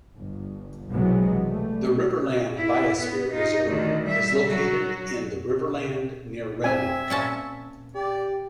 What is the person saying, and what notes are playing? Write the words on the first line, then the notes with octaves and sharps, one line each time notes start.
The Riverland Biosphere Reserve is located in the Riverland near Renmark.
G1
B1 C3 E3 F#3 G#3 B3
G3 A3
E4
B3
D#4 F4
D2 D#3
G3 E5
F#3 F#4
C4 E5 G#5
A#2 C#4 A5
G4 D5